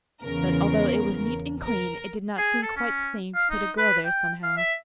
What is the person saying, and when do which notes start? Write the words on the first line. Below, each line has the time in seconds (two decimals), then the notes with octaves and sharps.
But, although it was neat and clean, it did not seem quite the thing to put a girl there somehow.
0.23 E2 C#3 A#4
1.63 A#4
2.38 G#4
2.63 A4
2.77 C#4
3.35 F5
3.50 D#4
3.78 B4
4.05 G5
4.43 F5
4.57 E5